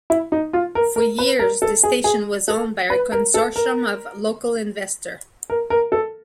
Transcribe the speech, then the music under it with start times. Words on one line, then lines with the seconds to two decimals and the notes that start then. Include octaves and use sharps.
For years, the station was owned by a consortium of local investors.
0.10 E4
0.32 D#4
0.53 F4
0.75 A#4
0.96 A#4
1.18 B4
1.39 A#4
1.62 A4
1.83 G#4
2.04 G#4
2.48 A4
2.90 B4
3.12 A#4
3.34 A4
3.56 A#4
5.50 A#4
5.70 A#4
5.92 A4